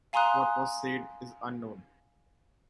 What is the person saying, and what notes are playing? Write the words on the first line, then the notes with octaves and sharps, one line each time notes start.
What was said is unknown.
F5 G#5 A#5 C6 D#6 F#6